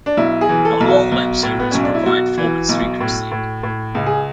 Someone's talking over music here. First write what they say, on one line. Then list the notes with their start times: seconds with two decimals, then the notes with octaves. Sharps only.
Not all web servers provide forward secrecy.
0.06 D4
0.17 B1 E4
0.41 G#4
0.49 E3
0.65 A4
0.81 B1
0.88 F#4
1.12 B1
1.43 A2
1.59 B3
1.71 B1 C#4
1.83 D4
1.95 E4
2.06 B1 F#4
2.38 E3
2.69 B1
3.01 A2
3.32 A2
3.63 A2
3.95 C#2
4.06 G#4